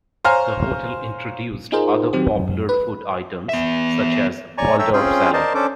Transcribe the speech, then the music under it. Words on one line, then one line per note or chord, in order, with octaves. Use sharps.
The hotel introduced other popular food items, such as Waldorf Salad.
C5 C#5 F5 G#5 A#5 F6
D#4 F4 G#4 A#4 C5
D#3 F#3 C4 G4
F#2
B4
B3 E5
C#5 D5 G#5 A#5 C#6
A4 C#5 E5 G5 A#5 E6
C4 C#4 F4 G#4 G5 C6
A#4 C5 D5 D#5 A5 C6
C#4 D4 A4 C5 D6